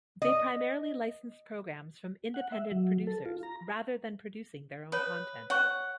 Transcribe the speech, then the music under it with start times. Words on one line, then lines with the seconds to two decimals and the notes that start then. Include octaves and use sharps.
They primarily licensed programs from independent producers, rather than producing their own content.
0.22 D#5
2.34 F#5
2.52 E5
2.71 F#3
3.07 A4
3.25 F4
3.43 A#5
4.92 B4 C#5 D#6
5.50 C#5 F#5 C#6